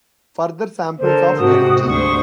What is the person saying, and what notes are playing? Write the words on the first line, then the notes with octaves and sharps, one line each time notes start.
Further samples of L.t.
D3 A4 A#4 C5
G#2 C3 F#4 D#6
D2 C5 C#6 D#6